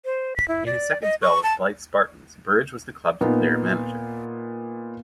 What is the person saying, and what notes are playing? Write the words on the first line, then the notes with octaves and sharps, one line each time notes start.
In his second spell with Blyth Spartans, Burridge was the club's player-manager.
C5
B6
E4
D5
D#5
C#6
A5
A#2 B3 D#4